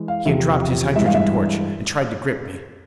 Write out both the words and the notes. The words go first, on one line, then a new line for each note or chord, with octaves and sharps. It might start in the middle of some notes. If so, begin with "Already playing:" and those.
He had dropped his hydrogen torch, and tried to grip me.
Already playing: E3 G#3
F5
E2 C3 F3 E5
G2 E3 G#3 E5
F5
E5